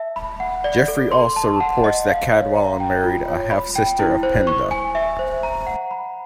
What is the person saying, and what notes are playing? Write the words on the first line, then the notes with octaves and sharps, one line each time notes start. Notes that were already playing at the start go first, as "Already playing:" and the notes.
Geoffrey also reports that Cadwallon married a half-sister of Penda.
Already playing: E5 A5
B5
F#5
D5
A4
C6
A5
F#5
D#5
F5
C#5
A#5
G5
F4
C#5
B5
G5
E4
C5
C#6
G#5
E5
C5
A#5
F#5
B5